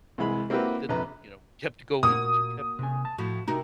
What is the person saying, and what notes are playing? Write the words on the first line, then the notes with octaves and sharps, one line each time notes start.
that, you know, kept going that you kept doing?
C2 E3 G#3 B5
A#3 C4 E4 F#4 G4 B4
A#1 F2 C3 B4 A#5
A#2 A#3 F#4 D#6
C3 G#5
A5
A2 F3 F#4
C3 D#4 F#4 A#4